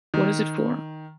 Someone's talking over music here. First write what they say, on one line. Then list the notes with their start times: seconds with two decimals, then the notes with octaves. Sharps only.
What is it for?
0.14 D#3